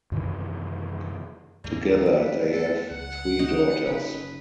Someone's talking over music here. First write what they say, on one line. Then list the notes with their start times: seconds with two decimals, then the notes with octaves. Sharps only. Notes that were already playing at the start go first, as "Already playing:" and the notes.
Together they have three daughters.
0.12 F#2 C3 D#3 E3
1.64 D#2 G#2 A#3 C#4
2.06 E3 F#3 A3 B4 D5
2.52 A4
2.91 C#2 F#5
3.39 D#4 F#4
3.85 F#1 F#2 C#4 B4